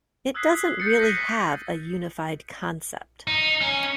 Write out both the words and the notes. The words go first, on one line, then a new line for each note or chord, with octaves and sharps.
It doesn't really have a unified concept.
D#6 E6 F#6 G#6 B6 C7
G6 A6 C7 C#7
F#6 A#6 B6 D#7
D#4
C#4